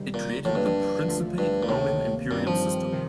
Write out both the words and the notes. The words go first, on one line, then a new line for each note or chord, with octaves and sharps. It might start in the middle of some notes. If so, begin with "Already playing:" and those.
It created the principate Roman imperial system.
Already playing: D2 C3 D#3 G3
A#2
D2 A2 D3 F3 A#3 D4
G2
G2
D2 D3 F3 A3
G2
A#2
D2 A2 C3 D#3 A#3
G2 A#2 D#3 G3 C4
F3
C3 D#3